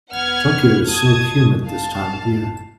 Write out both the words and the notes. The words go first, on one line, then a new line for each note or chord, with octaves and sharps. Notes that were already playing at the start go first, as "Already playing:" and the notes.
Tokyo is so humid this time of year.
B3 F#5 F6 G#6
A5 D#6 G#6
F5 A5